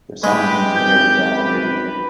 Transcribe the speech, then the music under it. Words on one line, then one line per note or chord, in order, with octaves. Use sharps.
Their sound has been compared to that of Radiohead.
G#3 G4 B4
G#1 G6
B4